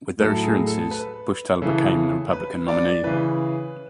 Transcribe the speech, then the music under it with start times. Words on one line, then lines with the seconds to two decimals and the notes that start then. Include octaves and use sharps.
With their assurances, Buchtel became the Republican nominee.
0.20 A2 F#3 A4
0.44 G#4
0.67 A4
0.91 B4
1.62 C#3 E3 A4
2.33 B4
2.68 D5
3.04 C#3 E3 B4